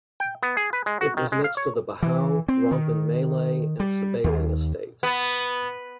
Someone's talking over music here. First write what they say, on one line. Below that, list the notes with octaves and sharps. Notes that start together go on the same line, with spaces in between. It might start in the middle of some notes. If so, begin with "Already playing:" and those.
It was next to the Bahau, Rompin Malay and Sebaling estates.
G5
B3
G#4
B4
G#3
F#4
D#3
G#3
F5
C#5
E3
C4
D#3
G3
D#2
B3